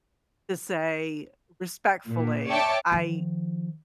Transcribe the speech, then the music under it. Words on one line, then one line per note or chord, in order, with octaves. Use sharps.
to say respectfully, "I
A#2
C#5 D5 E5 G5 A5 D6
D#3 F3